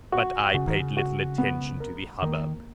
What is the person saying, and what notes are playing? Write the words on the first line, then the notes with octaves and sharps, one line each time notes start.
But I paid little attention to the hubbub.
F#4
C#3 F#4
D#3
C#3
F#4
B3
A#4
D#3 A#3